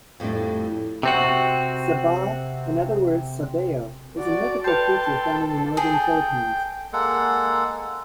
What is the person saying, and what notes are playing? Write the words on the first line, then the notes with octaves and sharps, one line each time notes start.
Sabaw, in other words Sah-Bao, is a mythical creature found in the Northern Philippines.
F2 A2 G3 A3 D4
C3 C4 F#4
F#4 D5
A4 B4 G5 A5 C6 G6
G#4 G5
G#3 A#3 A4 F#5